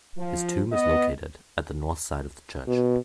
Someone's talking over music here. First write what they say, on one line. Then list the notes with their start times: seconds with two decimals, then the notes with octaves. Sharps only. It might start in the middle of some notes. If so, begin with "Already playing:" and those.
His tomb is located at the north side of the church.
0.17 F3
0.71 B3 D#5
2.68 B2